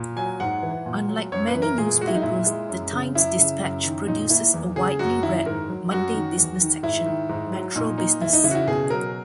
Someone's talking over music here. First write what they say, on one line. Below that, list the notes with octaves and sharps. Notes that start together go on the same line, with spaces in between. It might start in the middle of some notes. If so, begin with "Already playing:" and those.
Unlike many newspapers, the "Times-Dispatch" produces a widely read Monday business section, Metro Business.
Already playing: A#2
F#3 G#5
G#2 F#5
E3
A#2
F#3
F#2 C#5
B4
E3
A#4
A#2 G#4
G#3 F#4
E4
D#4
A#2 E4
G#3
F#2
C#3
F#2 E4
C#3
F#2
D#3
A#2 D#4
A#3 E4
E2
C#3 G#4
F#2 F#4
D#3 E4
G#2 A#4
F#3
F#2 F#4
D#3
E2
D#3
G#2 E4
D#3
G#2
F#3
A#2 D#4
A#3 D#4
E2 E4
D#4
C#3 E4
F#4
E4
B2 G#4
F#3 A#4